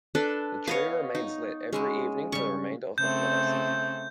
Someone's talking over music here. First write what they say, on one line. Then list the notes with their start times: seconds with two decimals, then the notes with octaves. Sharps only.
The tree remains lit every evening for the remainder of the holiday season.
0.15 D4 A4 B4
0.67 B3 C#5 D#5 F5
1.15 D#4
1.73 G#3 C#4 E4 F#4
2.32 C#3 G3 C#6
2.98 C#3 A3 C4 G6